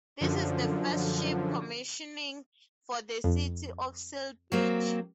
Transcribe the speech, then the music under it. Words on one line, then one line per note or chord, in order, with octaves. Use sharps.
This is the first ship commissioning for the City of Seal Beach.
F#2 D3 F3
F2
F#3 A#3 C4